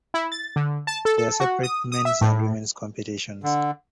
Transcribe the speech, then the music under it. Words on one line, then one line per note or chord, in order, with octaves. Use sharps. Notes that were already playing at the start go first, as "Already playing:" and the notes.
There are separate men's and women's competitions.
E4
A6
D3
A5
A4
A4
F#4
D#6
D#6
E5
A2
D3